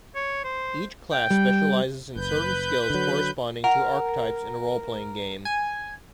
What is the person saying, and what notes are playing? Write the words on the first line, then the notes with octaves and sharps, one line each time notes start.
Each class specializes in certain skills corresponding to archetypes in a role-playing game.
C#5
C5
G5
G3
F#1 B4 G6
D3 F#3
A#4 F#5
G#5